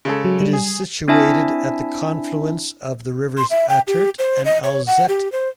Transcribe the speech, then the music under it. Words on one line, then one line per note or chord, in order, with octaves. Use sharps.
It is situated at the confluence of the rivers Attert and Alzette.
C#3 G#3 A4
F#3
G3
G#4
C4 D4 E4 E5 G#5 A5
C6
E5
G5
G4
C5
D#5
C#5
F#5
G4
C5